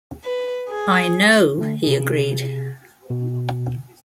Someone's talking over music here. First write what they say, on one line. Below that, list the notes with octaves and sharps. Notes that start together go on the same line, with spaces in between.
"I know," he agreed.
B4
G#4
D3 A3
C3 G#4
B2